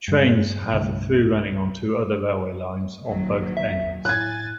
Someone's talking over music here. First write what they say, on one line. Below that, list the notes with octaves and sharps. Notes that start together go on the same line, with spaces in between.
Trains have through running onto other railway lines on both ends.
G2 G#3
C2 G2 D3 A3
A#1 D#3 F#3
E5
A2 G#5 F#6 G#6 A6